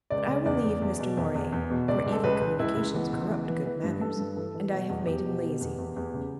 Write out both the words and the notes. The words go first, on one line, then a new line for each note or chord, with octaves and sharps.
But I will leave Mr. Moray, for 'evil communications corrupt good manners,' and I have made him lazy.
C#2 D5
C#3
E2 D5
E2
E2
B2
E2
E2
E2
B2
C#2 D5
C#2
A4
C#2 B4
C#2
C#2 E4
C#2
E3 B3
C#2
E3
E3
E3
G2
G2 A4
G2
E3 A4
E3
B2 F#4
E2
E2 G4
B2
B2
E2
E2
E2
C#3